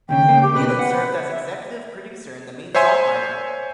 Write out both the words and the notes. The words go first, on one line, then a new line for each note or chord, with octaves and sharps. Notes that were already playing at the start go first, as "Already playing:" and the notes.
Leland served as executive producer and the main songwriter.
D#2 A#2 C#3 G5
C#2 C#3 A#3
G4
B2 B4
F#5
E5
C5 C#5 E5 G#5 C6